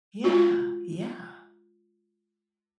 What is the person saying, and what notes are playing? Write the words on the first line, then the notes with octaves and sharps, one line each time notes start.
Yeah. Yeah.
G#3 F4 F#4